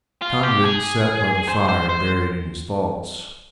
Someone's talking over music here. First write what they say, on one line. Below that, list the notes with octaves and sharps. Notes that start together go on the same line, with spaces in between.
The convict sat by the fire, buried in his thoughts.
F4
G4
G#4
C5
C5
C5